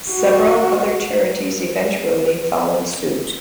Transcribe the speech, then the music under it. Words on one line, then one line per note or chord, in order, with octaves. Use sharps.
Several other charities eventually followed suit.
F#4